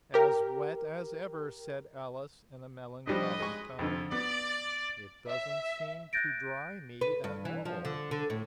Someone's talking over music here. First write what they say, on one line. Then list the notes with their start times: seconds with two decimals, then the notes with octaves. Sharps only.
'As wet as ever,' said Alice in a melancholy tone: 'it doesn't seem to dry me at all.'
0.14 G4 A#4
3.07 F3 G3 D4 B4 D#5
3.40 G#3 C#6
3.79 F2 D3 E4 F4 A4
4.12 B3 D5
5.28 E5
6.13 F#6 G6 A6 A#6 D7
7.01 B4
7.24 G2
7.45 E3
7.65 F3
7.85 D3
8.11 D3
8.30 A2